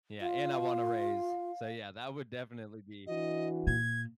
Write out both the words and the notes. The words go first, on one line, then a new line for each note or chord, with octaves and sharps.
yeah, and I want a raise, so, yeah, that would definitely be,
F4 F5
E3 D4 F#4 D#5
A#2 G#6